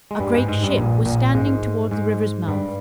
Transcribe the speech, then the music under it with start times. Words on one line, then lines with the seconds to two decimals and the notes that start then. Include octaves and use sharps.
A great ship was standing towards the river's mouth.
0.11 G#3
0.20 G2 G3
0.34 G#2 G#3
0.48 G#2 G#3
0.63 G2 G3
0.78 A#1 A#2
1.05 A#1 A#2
1.34 G#2 G#3
1.91 G#2 G#3
2.48 G2 G3